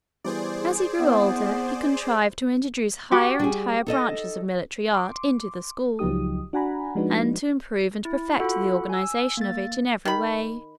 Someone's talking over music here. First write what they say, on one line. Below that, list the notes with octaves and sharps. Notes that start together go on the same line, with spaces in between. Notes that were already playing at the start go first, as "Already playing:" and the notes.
As he grew older he contrived to introduce higher and higher branches of military art into the school, and to improve and perfect the organization of it in every way.
E3 G3 B3 G#4 C5 D5
B3 C4 E4
F#4 G4
G3 G#4
D#4 A4 D#5
C6 D6
C#2 F3 F#3 D#4 G4 D#6
D4 F#4 F#5 G#5 A#5 B5
F3 G#3 D4 D#4 F#4 B4
E4
F4 F#4 A4 F#5 B5
G#5 E6
A#3 A6
D#3 B5